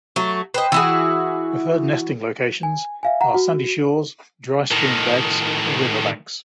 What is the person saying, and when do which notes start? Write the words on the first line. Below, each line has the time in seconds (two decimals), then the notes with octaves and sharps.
Preferred nesting locations are sandy shores, dry stream beds, or riverbanks.
0.16 F#3 A3
0.54 B4 C5 D#5 G5
0.72 E3 E4 F#4 G#4 E5 E6
2.63 G#5
3.03 E5 F5 G#5
3.21 F#5 A#5
3.34 F#4
4.71 A2 D#3